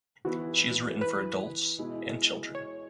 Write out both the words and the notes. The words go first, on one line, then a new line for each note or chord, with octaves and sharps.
She has written for adults and children.
E3 B3 E4 F#4
B4
B2 G#3 E4
C#5